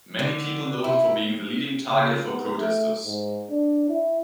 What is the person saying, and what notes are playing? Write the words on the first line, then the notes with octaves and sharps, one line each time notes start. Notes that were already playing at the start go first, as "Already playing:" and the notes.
Many people know him for being the leading target for protesters.
D3
E4
C#3
B3
A3
G#2
D4
E4